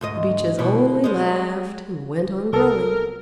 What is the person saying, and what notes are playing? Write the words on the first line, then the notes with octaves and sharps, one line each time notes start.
The Beeches only laughed and went on growing.
D2 G#2 D#5
D2 B2 E4
G3 G#3
C2 A4 A#4